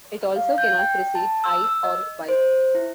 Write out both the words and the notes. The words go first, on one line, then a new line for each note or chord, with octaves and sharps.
It also cannot precede "i" or "y".
F5
G6
G5
A5
E6
E6
D#5
C5
E4